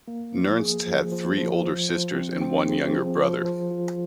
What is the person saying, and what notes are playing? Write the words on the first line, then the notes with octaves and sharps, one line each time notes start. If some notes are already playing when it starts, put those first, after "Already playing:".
Nernst had three older sisters and one younger brother.
A#3
F3
G#4
F3
F3
F3
F3
F3
C4
C4
G#4
F3
F3
F3
F4